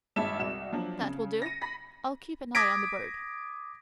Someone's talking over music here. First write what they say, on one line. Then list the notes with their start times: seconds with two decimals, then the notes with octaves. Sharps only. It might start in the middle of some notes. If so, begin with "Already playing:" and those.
"That will do; I'll keep an eye on the bird."
0.16 G#1 G2 G#4 E5 A5 E7
0.39 C2 F#4 E7
0.72 F3 F#3 D4
1.01 C#3
1.42 A#6 C#7 D#7
1.61 B5 A#6 B6
2.55 D6 D#6 G#6 A#6 B6 D7